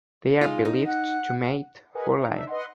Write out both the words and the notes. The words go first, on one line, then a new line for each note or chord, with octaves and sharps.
They are believed to mate for life.
G#3 D#4 F4
D#4
F#5
G#4 A#4 B4 D#5 F#5 G#5
E5 A#5
D4 D#4 E5
B4 D#5 F#5 C6